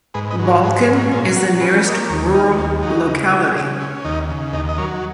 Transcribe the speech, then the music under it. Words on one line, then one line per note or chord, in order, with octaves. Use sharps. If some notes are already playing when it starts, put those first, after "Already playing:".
Balkan is the nearest rural locality.
G#2 G#4 B4
B4 D#5
F#3
A#4 C#5
G#2 G#4 B4
G#4 B4
C#4
F#4 A#4
A#2 F4 G#4
F#3 F#4 A#4
C#4 G#4 B4
G#4 B4
A#3 D#5
A#4 C#5
D#2 A#4 C#5
C#4
D#3 D#4
D#2 C#4
F#3 D#4
C#3
G#3
C#3
C#4
D#2 D#4
C#3
D#2 D#4
D#5
F#3 A#4 C#5